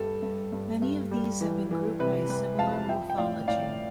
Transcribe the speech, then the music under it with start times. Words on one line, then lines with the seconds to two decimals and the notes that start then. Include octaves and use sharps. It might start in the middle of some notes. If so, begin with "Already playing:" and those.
Many of these have been grouped by a similar morphology.
Already playing: G2 G3 A4
0.22 G2
0.52 G2
0.82 G2
1.11 G3
1.41 E3
1.71 E3
1.99 C3 B4
2.29 G3 B4
2.59 F2 F5 A5
2.88 F3 E5 G5
3.10 G5
3.18 A2 D5 F5
3.48 A2 D5 F5